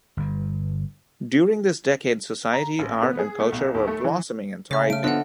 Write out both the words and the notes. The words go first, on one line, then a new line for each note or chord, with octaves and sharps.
During this decade society, art and culture were blossoming and thriving.
G1 G2
A#5
A1
B3
G#4
A3
B1
D#2
A3
E3
C#3 C#5 E5
A3 F6 D7
D3 B3 F4 C5 D#5 F#5